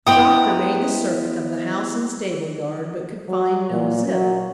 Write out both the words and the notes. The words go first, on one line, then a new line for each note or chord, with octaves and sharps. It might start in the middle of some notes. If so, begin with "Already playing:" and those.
The doctor made the circuit of the house and stable yard but could find no Zip.
B3 E4 B4 C5 D#5 G5 A#5 D#6
F#3
A#2
F#3